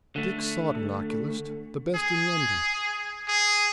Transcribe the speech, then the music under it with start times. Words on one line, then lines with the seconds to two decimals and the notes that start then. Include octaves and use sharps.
Dick sought an oculist,--the best in London.
0.16 D3 A3
1.95 G#4
3.28 G#4